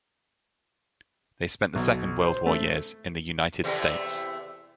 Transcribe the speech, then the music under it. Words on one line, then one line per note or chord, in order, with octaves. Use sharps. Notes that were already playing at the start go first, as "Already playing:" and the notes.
They spent the Second World War years in the United States.
B1
C5
A3
E2 C3 A3